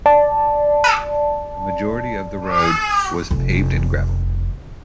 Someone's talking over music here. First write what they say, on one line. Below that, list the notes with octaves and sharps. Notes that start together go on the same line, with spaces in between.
A majority of the road was paved in gravel.
D5 A5
F1 F2